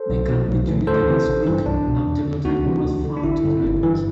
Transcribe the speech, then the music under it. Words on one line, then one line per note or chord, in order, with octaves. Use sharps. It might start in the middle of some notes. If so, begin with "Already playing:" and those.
The car withdrew the next week after no driver was found to drive it.
Already playing: A4 C5
B1
B2
B1
A2 E3
D2 A4 C5
C3 E3
A1
G2 E3
C2 D4
B2
E2
D3
D2 D4 F#4
C3 E3
D2
D3
D4
A1 E4
G2 D3
G1
G2 E3